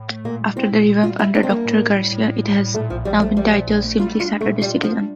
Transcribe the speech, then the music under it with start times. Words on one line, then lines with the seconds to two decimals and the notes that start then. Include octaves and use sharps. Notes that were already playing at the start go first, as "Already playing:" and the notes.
After the revamp under Doctor Garcia it has now been titled simply Saturday Citizen.
Already playing: A2
0.10 A3
0.24 A#2 A#3
0.41 G3
0.56 C4 E4
0.72 A#2
0.88 A#2
1.03 G3 F4
1.18 G3 E4
1.34 G3 D4
1.43 C4
1.49 G3 A#3
1.65 A2
1.81 A2
1.97 G3
2.12 A2
2.27 A2
2.44 G3
2.59 A2
2.74 A#2 A3
2.90 A#1 F3
3.05 F3 G3
3.22 A#1 A3
3.37 F3 G3
3.52 A#2
3.69 A#1
3.84 A3
3.99 G3 F4
4.15 D4
4.20 F4
4.31 G3
4.41 A3
4.46 A#2
4.62 G3 F4
4.78 D4
4.83 F3
4.94 G3